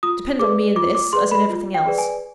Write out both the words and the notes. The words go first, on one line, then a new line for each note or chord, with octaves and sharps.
Depend on me in this, as in everything else.
F4 D#6
G#4 B4 D5 D6
F4 D6
D6
G#4 B4 D5 C6
B5
F4
G5
G#4 B4 D5
G#5